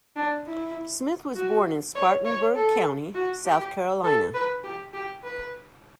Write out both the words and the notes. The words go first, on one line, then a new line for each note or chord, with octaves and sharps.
Smith was born in Spartanburg County, South Carolina.
D4
E4
F#4
C#5
C#5
A4
F#4
G4
A4
B4
G4
G4
B4